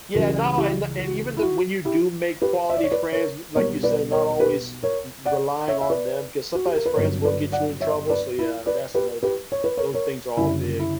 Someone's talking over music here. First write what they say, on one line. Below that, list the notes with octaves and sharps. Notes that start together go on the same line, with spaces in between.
yeah, no, and the and even then, when you do make quality friends, l like you said, not always r relying on them because sometimes friends will get you in trouble, so, yeah, that's another t those things are all big.
C#2 C#3 E3 G3 F#4 A#4
E4 G4
F#4
E4
F#4
E4 G4
G4 B4
E5
D5
C#5
B4 D5
A#4 C#5
B1 B2 G3 A#4 C#5
B4 D5
A#4 C#5
A#4
G4 B4
A#4 C#5
D5 F#5
C#5 E5
E5
B4 D5
F#4
G4
A#4
B4
G1 G2 F#3 A#4 C#5
B4 D5
D5 F#5
C#5 E5
B4 D5
E4
B4 D5
G4 B4
G4 B4
C#5
B4
A#4 C#5
A#4 C#5
F#1 F#2 D3 G3 E4
E4